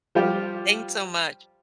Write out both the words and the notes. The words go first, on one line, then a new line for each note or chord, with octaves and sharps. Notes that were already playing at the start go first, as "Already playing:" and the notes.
Thanks so much.
F3 G3 F4 G4